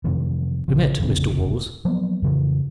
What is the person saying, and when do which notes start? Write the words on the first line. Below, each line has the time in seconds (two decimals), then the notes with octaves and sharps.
We met Mr. Woolls.
0.04 F2 C3 D#3 E3
0.68 A#1 C#3 F3
1.00 F1 A#1 E2 C#3
1.85 F3 F#3 A#3 B3
2.22 F2 C#3 E3